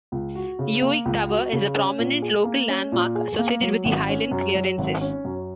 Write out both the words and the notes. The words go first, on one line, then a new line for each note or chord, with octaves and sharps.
Uig Tower is a prominent local landmark associated with the Highland Clearances.
C#2
F#4
C#3
A#3
C#2
F#4
C#3
C#4
A#2
G#4
A#3
C#4
A#2
G#4
A#3
F#3
G#1
C#4
F#2
F#3
G#1
C#4
F#2